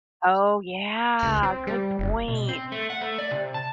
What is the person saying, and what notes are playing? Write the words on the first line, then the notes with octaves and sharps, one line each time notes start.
Oh, yeah, good point.
C#2
C4
G3
F#1
B2
C4
A3
F#5
A3
D5
C3
A5